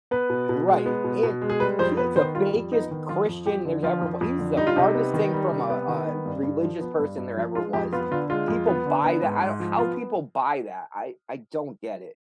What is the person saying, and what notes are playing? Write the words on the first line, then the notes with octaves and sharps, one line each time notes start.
Right, and he's the fakest Christian there's ever wa he's the farthest thing from a a religious person there ever was, and people buy that, I don't How people buy that, I I don't get it.
B3 B4
B2
B2
G#3
B3
B2
B2
G#3
G#4
G3 B4
F2 C5
B3 B4
D#3 C5
G3 F4
F2
B3 D#4
D#3
F3 F4
F2
F2 G4
D3
F3 F4
F2
F2
D3
G3 D#4
F4
C3 D#4
B3
D#3
G3
C3
B3
D#3
B3
G2
G2
F3
B3
G2
G2
F3
G#3 F4
F2 G4
B3 F4
D3 F4
G#3 F4
F2
B3
D3
B3
G#2
G#2
F3
B3 F4